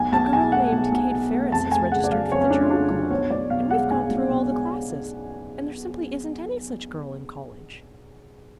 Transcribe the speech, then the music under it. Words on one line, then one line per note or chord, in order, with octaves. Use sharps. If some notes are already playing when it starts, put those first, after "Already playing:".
"A girl named Kate Ferris has registered for the German Club, and we've gone through all the classes, and there simply isn't any such girl in college."
Already playing: B1 G#5
B1 A5
B2 G#5
A3 F#5
B1
B1
B2
A3
F2 A5
A3 G#5
C#3 F#5
D5
F#3 F5
F2 C#5
C#4
A3 D4
F4
C#3 D4
F#3 D4
B1 C#5
B1 D5
B2 F5
G#3 F#5
B1 G#5
B1
B2
G#3